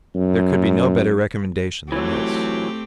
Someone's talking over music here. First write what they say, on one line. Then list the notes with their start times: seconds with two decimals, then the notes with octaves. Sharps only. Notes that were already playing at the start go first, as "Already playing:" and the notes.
There could be no better recommendation than this.
0.15 F#2
1.92 E3 F#3 A3 C4 G4